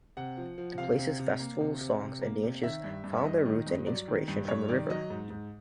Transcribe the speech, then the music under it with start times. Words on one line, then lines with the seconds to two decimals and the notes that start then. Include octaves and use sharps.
The place's festivals, songs and dances found their roots and inspiration from the river.
0.17 C3 F#5
0.37 F3
0.58 F3
0.78 C3 F5
0.99 C3
1.19 C3
1.39 A#3
1.61 C3
1.81 C3
2.02 C3
2.22 A#3
2.43 C3
2.63 D#3 E5
2.84 G2
3.04 G2
3.17 E5
3.25 G2 D#5
3.45 D#3
3.66 G2
3.87 F#3 D5
4.08 D#3
4.28 G2
4.48 G2 C#5
4.68 D#3 D5
4.89 F#3 D#5
5.10 G#2
5.30 G#2